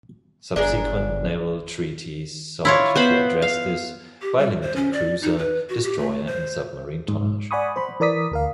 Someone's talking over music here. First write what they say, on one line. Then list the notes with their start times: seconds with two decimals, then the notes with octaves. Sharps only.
Subsequent naval treaties sought to address this, by limiting cruiser, destroyer and submarine tonnage.
0.56 G1 D4 G#4 A#4
2.65 E4 F4 C#5
2.96 B3 C5 B5
3.42 F5
4.22 G4
4.39 G3
4.62 C5
4.76 C#4
4.93 D5
5.22 D#4
5.38 B4
5.69 F#4
5.84 G4
5.98 A3
6.27 C5
7.08 G#2
7.51 D5 F#5 G#5 B5 C#6 D#6
7.76 C5 B5
8.00 E3 A#4 D5 D#6 B6
8.31 D2 A#4 F5